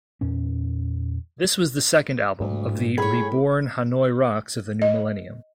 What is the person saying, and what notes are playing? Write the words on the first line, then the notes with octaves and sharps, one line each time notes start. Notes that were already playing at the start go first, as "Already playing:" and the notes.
This was the second album, of the "reborn" Hanoi Rocks of the new millennium.
E2 A#2 C#4
D2 G#2 G3 D4
A2 G#4 C#5 B5
D#5